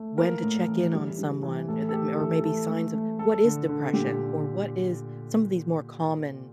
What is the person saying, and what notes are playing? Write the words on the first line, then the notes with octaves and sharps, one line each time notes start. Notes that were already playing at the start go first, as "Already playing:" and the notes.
when to check in on someone, uh, the, or maybe signs of what is depression or what is some of these more common,
Already playing: A3
A#3 A#4
A2
E3
G3
G3
E3
A2 A4
A4
A2 G4
E3 A4
A3 A4
A3
A3
A3 A4
D3
D3
A#2 G4